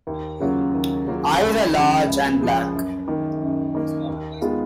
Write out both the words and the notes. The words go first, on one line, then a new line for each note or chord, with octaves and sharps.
Eyes are large and black.
D#2
C#3 F#3 A#3 F4
D#2
C#3 F#3 A#3 F4
C#2
C#3 F3
C#2
C#3 F3
F#2
D#3 A#3
F#2
D#3 A#3
D#2
D#3 G#3 B3 F4